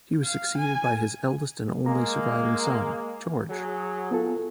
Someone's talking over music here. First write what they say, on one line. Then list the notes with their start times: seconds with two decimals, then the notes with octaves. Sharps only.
He was succeeded by his eldest and only surviving son, George.
0.24 F5
0.57 G#5
1.86 G#3 A#3 A#5
3.50 F#3 G#4
4.11 B3 F4 A4